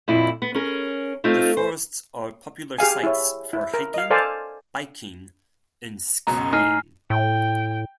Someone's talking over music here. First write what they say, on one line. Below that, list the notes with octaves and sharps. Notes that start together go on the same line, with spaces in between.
The forests are popular sites for hiking, biking and skiing.
F2 A#2 E4
B3
C#4 G#4 A#4
A3 C4 D#4 F4
C5
G4 G#4 F5 G#5
E4 C#5
E4
A#4
D#5 F5
A4 C5 D5 F5 G#5 A5
C#2 F#2 B2 A#5
A2 D#4 G#5 F6 A#6 C7
A2 G5